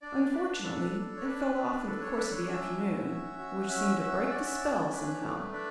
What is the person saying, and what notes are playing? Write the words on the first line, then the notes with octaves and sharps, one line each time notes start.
Unfortunately it fell off in the course of the afternoon, which seemed to break the spell somehow.
D4 D5
D4 B4
A4 B4
D4
C#5
D4 B4
D4
A4 B4
C#5
D4 B4
C#5
C#4 E5
F#4
C#4
F#4
C#4 E5
F#4 E5
C#4 D5
E5
C#4 D5
D4 B4
A3
D4 B4